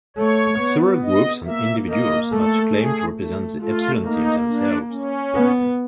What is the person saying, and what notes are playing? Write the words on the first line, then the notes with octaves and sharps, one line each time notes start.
Several groups and individuals have claimed to represent the Epsilon Team themselves.
A3 C#5
B3
D#5
A#3 E5
A#3 D#5
A3 A4
G#4
A3
A3 F4
A#3 D#4
D4
C#4
B3